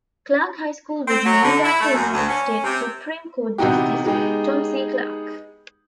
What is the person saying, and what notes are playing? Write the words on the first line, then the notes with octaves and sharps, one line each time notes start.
Clark High School was named after United States Supreme Court Justice Tom C. Clark.
C4
F#3
D3
E4
A3
F#2
D2
C#4
C3
C3 E3 B3 D#4 F#4 G4
G#3 B3 D#4 G4 G#4